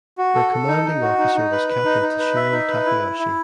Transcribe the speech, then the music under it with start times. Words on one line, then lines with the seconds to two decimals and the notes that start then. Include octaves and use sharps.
Her commanding officer was Captain Tashiro Takayoshi.
0.18 F#4
0.35 A4
0.52 A4
0.68 D#4
0.85 D#4
1.02 F#4
1.18 D#4
1.35 D#4
1.52 B4
1.69 B4
1.85 D#4
2.02 D#4
2.19 B4
2.36 E5
2.52 D#4
2.68 B4
2.85 E4
3.01 E4
3.19 E4